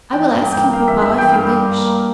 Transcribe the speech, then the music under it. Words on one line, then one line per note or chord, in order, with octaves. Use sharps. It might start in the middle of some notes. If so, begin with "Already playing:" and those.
"I will ask him, papa, if you wish."
E3 G5
G2
G2
A#3 G5
A#3 F5
E3 E5
G2 E5
E3 G5
G2 F5
G2
G2
A#3